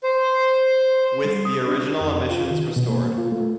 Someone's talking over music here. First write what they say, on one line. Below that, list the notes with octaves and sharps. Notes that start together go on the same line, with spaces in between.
With the original omissions restored.
C5
G3
D#6
D4
F2
F4
D#3
B2
A#3
F4
A3